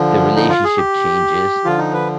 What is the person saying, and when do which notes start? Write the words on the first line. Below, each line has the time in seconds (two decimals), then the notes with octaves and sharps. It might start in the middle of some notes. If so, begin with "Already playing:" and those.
the relationship changes
Already playing: D3 F3
0.35 D#4
0.49 F4
0.64 G#4
0.77 G4
1.64 D3 F3 F4
1.78 D#4
1.93 B4